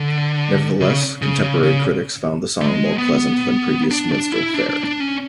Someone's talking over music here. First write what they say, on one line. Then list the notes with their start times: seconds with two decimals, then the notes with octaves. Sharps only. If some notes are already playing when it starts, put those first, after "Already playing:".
Nevertheless, contemporary critics found the song more pleasant than previous minstrel fare.
Already playing: D3
0.80 C#3
1.22 C#3
1.42 C#3
1.63 C#3
2.61 A3
2.66 G#3
2.98 B3
3.91 D4
4.12 D4
4.32 E4
4.54 D4
4.69 D4
4.84 D4
5.00 C#4